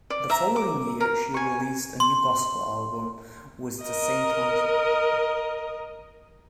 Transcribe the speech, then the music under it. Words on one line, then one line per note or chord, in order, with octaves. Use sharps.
The following year, she released a new gospel album with the same title.
D5
E5 A#5
D6
A#4
G#5 C#6
C6
A#4 D#5